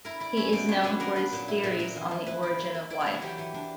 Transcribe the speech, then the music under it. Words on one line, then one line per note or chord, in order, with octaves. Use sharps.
He is known for his theories on the origin of life.
E4 A#4
E4 D5
C#4 E5
B2 D5
D4 C#5
F#3 B4
B3 A#4
D4 B4
A#2
E4
A#2 B4
A#2 A#4
E3
E3
E4 B4
E4 D5
A#3
A#3
E4 D5
C#5
F#3
A#4
E3 G4
E3
D4